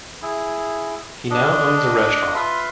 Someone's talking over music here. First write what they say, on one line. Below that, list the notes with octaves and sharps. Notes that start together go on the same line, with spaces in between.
He now owns a restaurant.
E4 G#4
D4 D#5
F4 B4 E5 C6